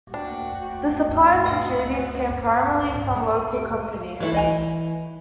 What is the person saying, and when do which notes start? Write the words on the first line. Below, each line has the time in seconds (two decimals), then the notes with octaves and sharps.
The supply of securities came primarily from local companies.
0.14 D2 D4 F#4 G5
1.44 D#3 B3 D#5 F5 F#5
3.15 A3
4.20 E3 F#3 A3 E4
4.34 D#5 G#5 A#5